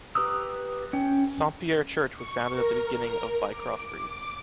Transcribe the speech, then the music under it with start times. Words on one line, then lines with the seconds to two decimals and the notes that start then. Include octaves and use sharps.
Saint-Pierre church was founded at the beginning of by cross-breeds.
0.15 G4 B4 A#5 D#6 E6
0.93 C#4 G5
2.15 C#6
2.50 A#4
3.48 D6